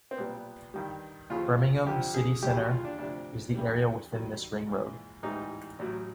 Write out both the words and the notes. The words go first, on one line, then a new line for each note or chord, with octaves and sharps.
Birmingham City Centre is the area within this ring road.
C4
B1 A#2 G3 B3
G2 D#3 G3
D#2 C#3 F3 F4
F2 D3 F3 G4
G#4
D#2 C#3 E3 G3 G4
F#4
F4
D4
D2 C3 F3 D4
G#1 G2 E3 G3
G2 D#3 F#3
A#1 G#2 E3
A1 G#2 E3 G3 D#4
A1 A2 F#3